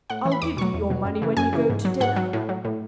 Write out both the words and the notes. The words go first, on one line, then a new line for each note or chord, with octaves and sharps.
I'll give you your money when you go to dinner.
A2 F#5
E3
B5
E2 D6
B2 F#3 C#6
E2
B2 F#3
F#2
C#3 E3
F#2 G#5
C#3 E3
G#2
F#3
G#2 F#5
F#3
A2
F#3
A2